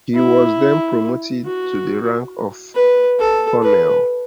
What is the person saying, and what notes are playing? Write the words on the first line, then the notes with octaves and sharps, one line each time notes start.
He was then promoted to the rank of colonel.
E4
F#4
B4
A4
B4